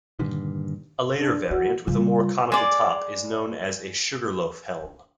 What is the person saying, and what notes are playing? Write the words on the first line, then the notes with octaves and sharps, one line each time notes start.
A later variant with a more conical top is known as a 'sugarloaf helm'.
G2 A#2 D3 D#3
D4
D#3 F#4
C#3 G3 F4
G#3 D5